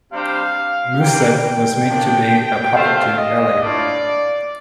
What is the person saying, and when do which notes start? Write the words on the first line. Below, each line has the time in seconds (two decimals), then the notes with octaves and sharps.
Musa was meant to be a puppet to 'Ali.
0.12 C3 G3 D4 G4 C5 F5
1.00 C3 G3 A#3 G5
1.88 D3 F3 A#3 D4
2.75 A3 D4 G4 C5 F5
3.18 D#5
3.62 A2 A3 D4 F4 D5